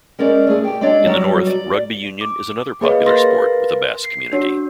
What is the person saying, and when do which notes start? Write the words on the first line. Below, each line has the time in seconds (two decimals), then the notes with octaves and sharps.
In the north, rugby union is another popular sport with the Basque community.
0.19 G#3 C#4 A#4 C5 D5 E5
0.47 A3 G#4
0.64 G4 G5
0.81 G#3 C4 D4 C#5 D5
1.07 F#3 G3 F#4
1.47 D5
2.21 D6
2.81 A#3 G#4 B4 C#5 D#5 F5
3.06 A#4 B4 F5 C6 A6 A#6
4.04 C7
4.32 D4 F#4 C#5